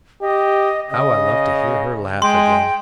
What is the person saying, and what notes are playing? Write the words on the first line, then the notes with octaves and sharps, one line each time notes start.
How I loved to hear her laugh again!
G4 D#5
C#3 D#5
G#3 G5 C6